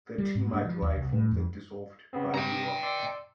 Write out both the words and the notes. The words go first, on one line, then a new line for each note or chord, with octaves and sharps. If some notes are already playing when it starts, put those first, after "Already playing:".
The team are derived from the dissolved Bayi Rockets.
G3
G#2
G2
F3
D#2
C2
A2
F2
C#3 B3 C4
C3 G5 A#5
D5 C6 E6